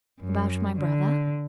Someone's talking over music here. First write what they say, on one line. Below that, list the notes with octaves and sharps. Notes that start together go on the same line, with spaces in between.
"About my brother?"
F#2
D3